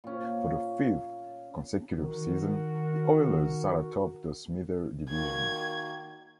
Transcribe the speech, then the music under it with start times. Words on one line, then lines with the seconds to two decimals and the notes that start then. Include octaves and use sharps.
For the fifth consecutive season, the Oilers sat atop the Smythe Division.
0.04 A#2 C#4
1.97 D#3 F#4 A#4
5.09 D#3 A#3 F#4 G#6